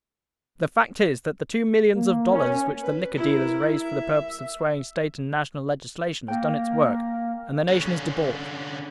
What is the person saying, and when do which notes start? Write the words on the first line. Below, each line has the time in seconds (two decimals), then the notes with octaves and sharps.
The fact is that the two millions of dollars which the liquor dealers raised for the purpose of swaying State and national legislation has done its work, and the nation is debauched.
1.94 A#3
2.31 C#4
2.83 B4
3.17 E4 A#4
3.82 E5
6.28 A#3 G5
7.68 D3 C#4